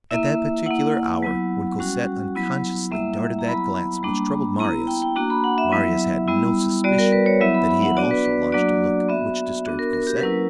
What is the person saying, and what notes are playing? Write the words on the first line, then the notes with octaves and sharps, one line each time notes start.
At that particular hour when Cosette unconsciously darted that glance which troubled Marius, Marius had no suspicion that he had also launched a look which disturbed Cosette.
A#3 E4 E5
A#3 E4 F#5
F#3 B3 E4
G3 C#4 F#4
F#3 B3 E4
G3 A#3 E4 E5
A#5
F#3 B3 E4 B5
G3 A#3 D4
B3 E4 A#5
G5
G5
A#3 D4 F#4 A#5
B5
F#5
E5
F#3 B3 E4
G3 B3 E4
G3 B3 F#4 D5
A#4
B4
C#5
F#3 B3 E4 E5
B5
B5
F#5
B3 D4 F#4 D5
B4
B4
F#3 A#3 D4 F#4 D5
B3 F#4 E5
B3 D4 F#4
A#4
A#4
G4
B4
F#3 A#3 C#4 E4 A#4